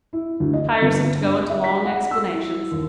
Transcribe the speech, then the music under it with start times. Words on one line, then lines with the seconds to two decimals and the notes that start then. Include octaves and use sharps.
Tiresome to go into long explanations.
0.13 E4
0.40 D2
0.53 D#5
0.82 G1
1.19 G2
1.50 E5
1.64 B6
1.85 F#5
2.11 E6
2.33 E4
2.72 D#2